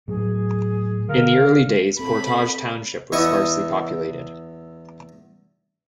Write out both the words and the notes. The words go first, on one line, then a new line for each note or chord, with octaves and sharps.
In the early days Portage Township was sparsely populated.
A2 F#3 G#4
D3 A#4 F5
C4 A4 B5
E2 E4 D#5 C#6 D#6